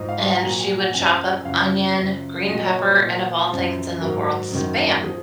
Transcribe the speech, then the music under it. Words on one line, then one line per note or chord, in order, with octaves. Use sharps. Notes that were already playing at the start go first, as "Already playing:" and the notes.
And she would chop up onion, green pepper, and of all things in the world, SPAM.
Already playing: G#2 F3 D#5
F5
F#5
A#5
A#2 F#3 G#5
G#5
F#5
F#2 G#5
F3
G#5
F#2 C#3 F3 F5
F#2 C#3 F3
A#2 F#3 D#5
C#5
C5
A#2 F3
F#2 F3
G#2 F#3 A#4
F#2 D#3 F#3
F3 G#4